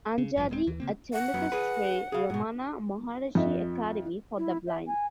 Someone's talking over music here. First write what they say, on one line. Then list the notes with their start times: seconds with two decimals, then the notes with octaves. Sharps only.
Angadi attended the Shree Ramana Maharishi Academy for The Blind.
0.18 C#3
0.36 G#1 G2 A#2 F3
0.50 D#1 G#3 A3 C4
0.67 D#2 E3
0.80 C#3 A#3 C4
1.13 F#5
1.34 F#2 F#3 B3
1.52 G#4 B4
2.12 G#4 F5
2.30 G#2 B2
3.35 F2 D#5 E5
4.38 E4
4.67 E5
4.87 G#5